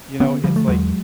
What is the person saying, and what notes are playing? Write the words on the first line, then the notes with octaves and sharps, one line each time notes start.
you know, it's, like,
D3 B3 C#4
D3 F3 G3
A3
E2 F#3 G#3